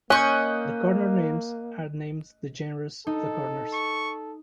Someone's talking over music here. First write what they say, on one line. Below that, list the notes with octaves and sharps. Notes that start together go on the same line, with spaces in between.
The corner names are named the genres of the corners.
A#3 C#4 D#5 C#6 F#6 G6
D#4 A4
C#6